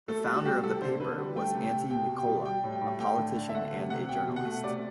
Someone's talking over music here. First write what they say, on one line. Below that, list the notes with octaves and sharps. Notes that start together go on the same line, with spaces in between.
The founder of the paper was Antti Mikkola, a politician and a journalist.
A3 A4
G3
F#4
C3 G4
C3 A4
D3 C5
D3 B4
G3
A3 G5
C3
G5
C3
B2 G5
B2
G5
G3
G3 G5
A2
G5
A2
A3 G5
D3
D3
E5
A3 F#5
C3
C3 F#5
B2 G5
B2
F#5
A3
C3 D5